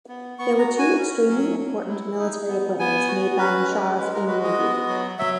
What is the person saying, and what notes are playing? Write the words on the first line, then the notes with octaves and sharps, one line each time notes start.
There were two extremely important military appointments made by Musharraf in the Navy.
B3
B3 C#6
A#5
F#4
G#5
C#4
F#3
F#3
E4
D#4
B3
B3 G#5
F#4
C#4 B4
G#3
G#3 B4
A#4
F#4 B4
D#5
B3
F#3
F#3 E5